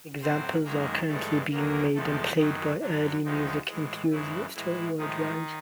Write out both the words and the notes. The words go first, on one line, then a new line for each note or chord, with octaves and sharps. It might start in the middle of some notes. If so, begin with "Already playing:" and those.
Examples are currently being made and played by early music enthusiasts worldwide.
A2 F#3 C4 C5
F#2 D#3 G#3 A#3 A#4
G2 E3 G#3 A3 A4
D#2 D3 F#3 A#3 A#4
E2 C3 F3 G#3 A3 A4
F#2 D#3 F#3 D#4
F#2 D3 F#3 D4
D2 D3 D#3 F3 G#3 D#4
A2 E3 G#3
F#2 C#3 E3 G#3 E4
A2 E3 G#3 E4
A2 D#3 F3 G#3 D#4